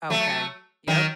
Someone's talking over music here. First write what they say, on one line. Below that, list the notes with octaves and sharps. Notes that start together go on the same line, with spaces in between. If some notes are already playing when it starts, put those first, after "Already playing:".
Okay, yep.
F#3 A3
D#3 F#3